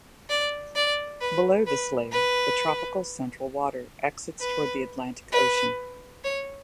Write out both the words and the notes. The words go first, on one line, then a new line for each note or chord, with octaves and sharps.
Below this layer, the Tropical Central Water exits toward the Atlantic Ocean.
D5
D5
B4
B4
B4
B4
B4
C#5